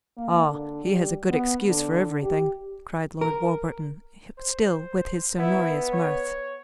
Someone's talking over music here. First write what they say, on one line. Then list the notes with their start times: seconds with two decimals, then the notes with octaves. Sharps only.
"Ah, he has a good excuse for everything!" cried Lord Warburton, still with his sonorous mirth.
0.17 A#3
0.47 D3
0.85 G3
1.30 B3
1.68 D3
2.23 G4
3.21 A#4
4.38 C5
5.39 B3 E4
5.93 C#5